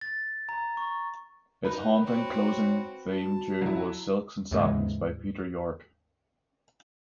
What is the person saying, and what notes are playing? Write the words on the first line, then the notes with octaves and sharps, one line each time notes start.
Its haunting closing theme tune was "Silks and Satins" by Peter Yorke.
A6
A#5
C#6
D#4 A#4 B4
C4 F#4 C#5
F#4 A5
F#3 E4
D#2 G#2 C#3 E3 G#3